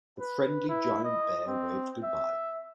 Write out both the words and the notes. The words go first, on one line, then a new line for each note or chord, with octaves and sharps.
The friendly giant bear waved goodbye.
B4
E4
D#5
C4
E5